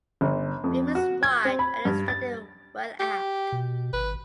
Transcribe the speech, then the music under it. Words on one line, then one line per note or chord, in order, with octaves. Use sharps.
Beam is wide and is extended well aft.
G1
F2
F#4
G#6
C4
B5
G2
A6
G4
B2
G#1 B4